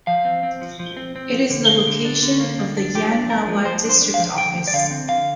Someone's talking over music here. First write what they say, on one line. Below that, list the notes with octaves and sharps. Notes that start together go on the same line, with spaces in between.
It is the location of the Yan Nawa District Office.
F3 F5
C4
C4
F3
F3
C4
C4
F3
D3
A#3
D3
D4
D3
A#3
D3
D4
F3 G4
D4
D4 A#4
F3
F3 C5
D4 C5
D4
F5
F3
D3 G5
F3
D5
D3 F5
C4
D3 F5